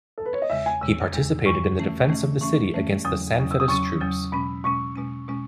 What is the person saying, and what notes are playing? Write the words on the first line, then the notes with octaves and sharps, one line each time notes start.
He participated in the defence of the city against the Sanfedist troops.
A4
B4
C#5
D#5
E2 C#3 G#3 E5
G#5
E2 C#3 G#3 E6
E2 C#3 G#3
E2 C#3 G#3 C#6
E3 A3 C#4
E3 A3 C#4
E3 A3 C#4 C#6
E3 A3 C#4
E2 C#3 F#3 C#4 D#6
E2 C#3 F#3 C#4
E6
D#6
E2 C#3 F#3 C#4 C#6
E2 C#3 F#3 C#4
B2 G#3 C#4 B5
B2 G#3 C#4 C#6
B2 G#3 C#4
B2 G#3 C#4